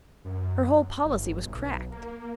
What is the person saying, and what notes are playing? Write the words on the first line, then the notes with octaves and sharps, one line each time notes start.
Her whole policy was cracked.
F#2
G1
B1
A#3